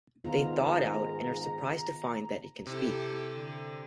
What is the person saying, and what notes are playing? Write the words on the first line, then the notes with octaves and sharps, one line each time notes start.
They thaw it out, and are surprised to find that it can speak.
G#2 D#3 B3 F4 A#5
C3 E4 G4 A4
D3